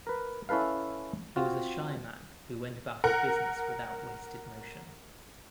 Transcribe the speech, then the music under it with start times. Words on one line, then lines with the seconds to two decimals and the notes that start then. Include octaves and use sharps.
He was a shy man who went about his business without wasted motion.
0.07 A#4 B4
0.49 C#4 E4 A4 B4 F5
1.36 C4 F4 F#4
3.04 A#4 F#5